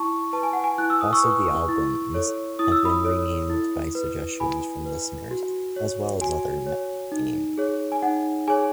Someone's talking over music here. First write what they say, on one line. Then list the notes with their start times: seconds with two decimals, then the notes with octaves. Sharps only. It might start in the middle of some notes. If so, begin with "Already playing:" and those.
Also the albums have been renamed by suggestions from listeners as well other means.
Already playing: E4 A5 C#6
0.33 B4 A5
0.43 G#5
0.53 F#5
0.64 G#5
0.78 E4 F#6
0.90 E6
1.01 D#6
1.13 C#6 E6
1.23 B4
1.69 E4
2.14 A4 C#5
2.59 E4 D#6
2.72 E6
2.85 B5 D#6
3.05 A4 C#5
3.50 E4
3.95 B4
4.40 E4 G#5 B5
4.86 B4
5.31 F#4
5.76 C#5
6.21 F#4 G#5
6.67 C#5
7.12 D#4
7.58 G#4 C#5
7.92 G#5
8.02 D#4 F#5
8.48 G#4 C#5 G#5